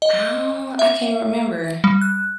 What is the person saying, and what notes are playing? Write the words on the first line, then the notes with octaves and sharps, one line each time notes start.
Oh, I can't remember.
D#5
E5
G3
F#6